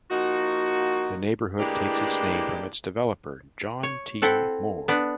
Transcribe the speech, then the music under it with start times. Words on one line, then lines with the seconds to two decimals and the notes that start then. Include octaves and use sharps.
The neighbourhood takes its name from its developer, John T. Moore.
0.10 F3 A#3 D#4 F#4
1.60 A2 E3 G#3 A#3 D4 G4
3.83 C#5
4.22 C4 E4 A4 F#5
4.88 B3 D4